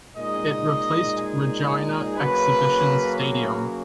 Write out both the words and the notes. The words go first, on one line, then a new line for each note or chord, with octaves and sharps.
It replaced Regina Exhibition Stadium.
A#2 G#3 D#4 D#5
G#4
G#4
C#3 F#3 A#3 C#4 B4
B4